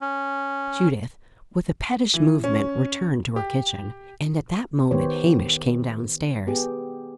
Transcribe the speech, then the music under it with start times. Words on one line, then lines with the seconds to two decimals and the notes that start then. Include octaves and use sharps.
Judith, with a pettish movement, returned to her kitchen; and at that moment Hamish came downstairs.
0.01 C#4
2.14 E3
2.44 C#4
3.36 G4
4.91 D#3 B3 G4 C5 C#5
6.47 B3 G4 G#4